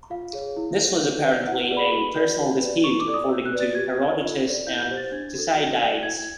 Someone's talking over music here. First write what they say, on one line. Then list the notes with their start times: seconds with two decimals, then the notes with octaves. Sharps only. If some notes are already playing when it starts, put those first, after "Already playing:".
This was apparently a personal dispute, according to Herodotus and Thucydides.
0.10 F4 F5
0.33 G#4 C#5
0.57 E4
0.79 A4 C5
1.02 F#4
1.24 B4 D5
1.47 E4 F#5
1.62 F#5
1.71 G#4 B4 D5
1.77 B5
1.92 F#4 B5
2.15 A4 D5
2.38 F#4
2.61 B4 D5
2.84 E4 C#6
3.00 D6
3.06 A4 D5
3.14 D#6
3.29 F#4 E6
3.45 F#6
3.52 B4 D5
3.60 A6
3.75 G4 G#6
3.98 B4 D5
4.21 F4
4.44 A4 D5
4.67 E4 G6
4.81 G6
4.89 G4 C5
4.97 A6
5.12 D4 G#6
5.35 F#4 A4
5.57 F#4
5.81 A4 D5
6.03 E4 G#6